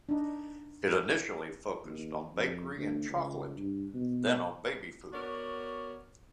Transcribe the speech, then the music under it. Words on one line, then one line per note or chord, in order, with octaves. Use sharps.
It initially focussed on bakery and chocolate, then on baby food.
D4 D#4
D#2
F2
D2
C#2
G2
B2
B3 F#4 A#4 C#5 D5